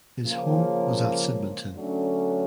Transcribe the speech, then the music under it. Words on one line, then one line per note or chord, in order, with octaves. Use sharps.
His home was at Sydmonton.
C#3 F3 A#3
D3 F#3 A3 C#4